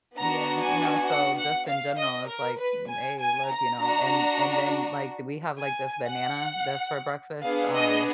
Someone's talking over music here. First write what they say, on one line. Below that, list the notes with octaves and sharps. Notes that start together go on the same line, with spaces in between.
Yeah, you know, so just in general, it's like, n hey, look, you know, and and then, like, th we have like this banana that's for breakfast, um,
B3 D4 F#4 A#5
G#5
F#5
F#5
F5
D#5
A#4
B4
G#5
G#5
A#5
D4 F#4
G#5
F#5
B3 D4 G#4 F5
D#5